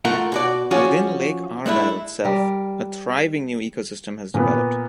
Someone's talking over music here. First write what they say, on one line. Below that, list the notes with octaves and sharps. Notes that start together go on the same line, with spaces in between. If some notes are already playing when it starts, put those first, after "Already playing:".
Within Lake Argyle itself a thriving new eco-system has developed.
A3 F4 A#4 F#5
B2 F#4 D5
F3 C#4 F4 F#4 G#4 D5
G#3 A3 D4 E4
G3 A#4
A#2 B3